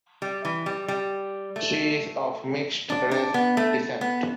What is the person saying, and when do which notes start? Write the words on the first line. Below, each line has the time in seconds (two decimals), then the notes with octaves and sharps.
She is of mixed race descent.
0.22 G3
0.45 E3
0.66 G3
0.88 G3
1.56 A3
2.90 D4
3.11 D4
3.34 B3
3.57 A3
4.01 B3